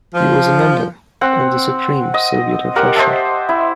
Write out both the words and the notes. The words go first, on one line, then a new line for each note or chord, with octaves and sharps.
He was a member of the Supreme Soviet of Russia.
F3
C4 F#5
D#5
G4 A#4 F#5
C5 D#5 E5 A5
E4